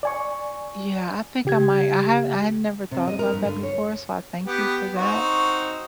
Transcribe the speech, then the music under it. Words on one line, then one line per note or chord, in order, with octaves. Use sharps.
Yeah, I think I might I have I had never thought about that before so I thank you for that,
D5 G#5 C#6
C#3 G4 G#6
C3
D#5
A#4
G2
D3
C#5
B3 G4
C4 D#4 F#4